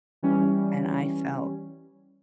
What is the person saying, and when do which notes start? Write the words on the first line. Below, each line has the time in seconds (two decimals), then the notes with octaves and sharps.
and I felt
0.23 E3 G3 C#4